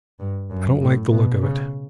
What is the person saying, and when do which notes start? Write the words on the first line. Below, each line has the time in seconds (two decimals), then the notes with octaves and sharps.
I don't like the look of it.
0.20 G2
0.51 F#2
0.81 A2
1.11 B2
1.42 C#3